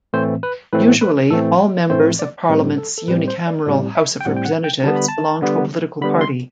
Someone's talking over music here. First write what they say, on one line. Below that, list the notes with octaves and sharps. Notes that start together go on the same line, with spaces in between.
Usually, all members of Parliament's unicameral House of Representatives belong to a political party.
A2 E3 A3 C4 C5
B4
A2 E3 A3 C4 B4
B4
A2 E3 A3 C4 A4
A2 E3 A3 C4 C5
D5
A2 G3 C4 B4
A4
A4
A2 G3 C4 B4
C5
D5
A2 G3 C4 D5
E5
G5
A2 G3 C4 F#5
G5
F#5
G5
D3 G3 B3 A5
B5
A5
D3 G3 B3
D3 G3 B3 B5
C6